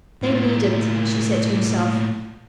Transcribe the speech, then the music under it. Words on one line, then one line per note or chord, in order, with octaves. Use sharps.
"They needn't," she said to herself.
A2 A#3